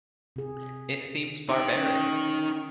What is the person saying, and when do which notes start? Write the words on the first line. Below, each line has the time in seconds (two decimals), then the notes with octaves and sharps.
It seems barbaric.
0.36 C3 G#4
1.49 D#4 G5
1.76 C#4